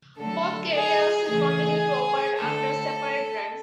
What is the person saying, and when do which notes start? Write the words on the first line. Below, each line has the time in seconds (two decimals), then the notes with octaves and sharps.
Both carriers continue to operate under separate brands.
0.18 D3 F#3 A3 A4
0.73 G#4
1.29 C#3 E3 A3 G#4
2.40 D3 A3 A4